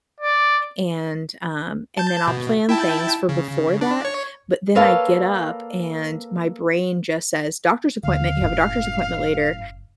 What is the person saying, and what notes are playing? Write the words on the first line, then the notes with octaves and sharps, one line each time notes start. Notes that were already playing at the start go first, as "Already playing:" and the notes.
and, um and then I'll plan things for before that, but then I get up and my brain just says, "Doctor's appointment, you have a doctor's appointment later,"
D5
A5 G6
B2
E4 G5 A5
C#3
D4
C#5
A#3 A4 B4 C#5 F5 A5
D#2 D3 F5
F#1 F#2 A2